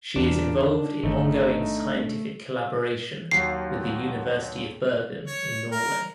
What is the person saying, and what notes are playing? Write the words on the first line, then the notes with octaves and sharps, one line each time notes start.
She is involved in ongoing scientific collaboration with the University of Bergen in Norway.
E2 A#2 D4
G1 D#3 A3 D#4
D#2 F#3 C7
C#5
A#4